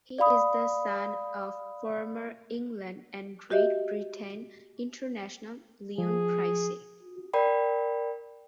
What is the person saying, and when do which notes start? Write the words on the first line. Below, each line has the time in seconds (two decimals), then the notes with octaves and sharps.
He is the son of former England and Great Britain international Leon Pryce.
0.18 D5 F5 B5 D#6
3.50 F#4 G4 D#5 E5
5.98 F3 G#4
7.34 A#4 D5 G5 B5